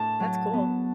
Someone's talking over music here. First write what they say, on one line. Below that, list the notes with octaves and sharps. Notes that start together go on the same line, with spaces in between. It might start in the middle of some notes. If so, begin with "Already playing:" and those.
That's cool.
Already playing: A2 D4 A5
F#3
B3